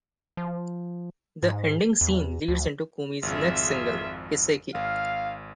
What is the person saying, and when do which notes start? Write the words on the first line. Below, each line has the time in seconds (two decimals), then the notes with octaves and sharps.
The ending scene leads into Kumi's next single, Kiseki.
0.37 F3
1.43 G#2
2.01 E2
2.48 D2
3.23 G#1 F2 F4 G#4 E5
4.75 G#1 F5